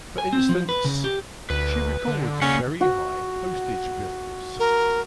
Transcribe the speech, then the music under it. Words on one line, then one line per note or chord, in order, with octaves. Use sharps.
For instance, she records very high postage bills.
G#5
C4
F3
B4
C#3
G4
D2 B4
D3
C#3 A#3 C#4 D5 F#5
F#4
A#4